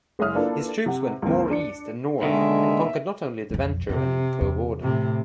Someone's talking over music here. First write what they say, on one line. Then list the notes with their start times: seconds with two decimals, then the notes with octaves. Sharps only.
His troops went more east and north and conquered not only Deventer and Coevorden.
0.19 F#1 G#3 C#5 E5 D#6 F6
0.35 A#3 D4 E4 F4 A4 B4
0.86 C3 F#5
1.22 C#2 F#2 E3 A#3 C4
1.51 D4 C#7
2.22 D#2 B2 D3 D#3 G#3 E5
3.51 B1 F2
3.89 F2 C3
4.41 E2
4.82 A2 C3